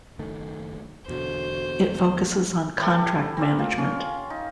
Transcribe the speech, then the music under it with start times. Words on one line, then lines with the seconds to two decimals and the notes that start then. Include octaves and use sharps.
It focuses on contract management.
0.19 F#1 D#3 A3
1.08 E2 B2 D3 F#4 C5
2.80 E4 G4 A4 B4
3.37 C4 A#4 D5
3.59 F4
3.78 C#4 F5
4.30 D#4